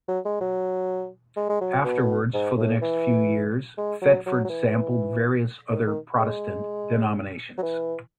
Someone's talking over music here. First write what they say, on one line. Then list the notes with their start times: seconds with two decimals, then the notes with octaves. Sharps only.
Afterwards, for the next few years, Thetford sampled various other Protestant denominations.
0.08 F#3
0.25 G#3
0.41 F#3
1.36 G#3
1.50 G#3
1.61 F#3
1.85 B2
2.34 G#2
2.57 A2
2.82 E3
3.78 G#3
4.02 F#3
4.26 F#3
4.45 F#3
4.49 E3
5.70 D#3
5.87 D#3
6.18 G#3
7.58 F#3
7.62 E3